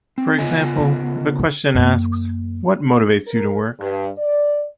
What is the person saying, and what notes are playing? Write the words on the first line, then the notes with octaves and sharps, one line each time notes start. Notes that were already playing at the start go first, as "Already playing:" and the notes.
For example, if a question asks, What motivates you to work?
C4
C#3 B3 F4 D#5 G#5
F#2 A#3
A#4
G2
D5